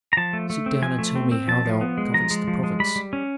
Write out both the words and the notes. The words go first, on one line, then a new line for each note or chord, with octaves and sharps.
"Sit down and tell me how thou governest the province."
A#5
F3 A5
A3
A3
C4
F3 G#5
A3
C4
C4
F3 A5
F3
B3
G#3
F3 A#5
G#3
F3
G#3
G3 B5
G3
C#4